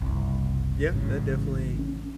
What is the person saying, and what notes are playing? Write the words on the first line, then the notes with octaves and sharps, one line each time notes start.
Yeah. That definitely
F#1 C2
A1 G#2 C#3
C#4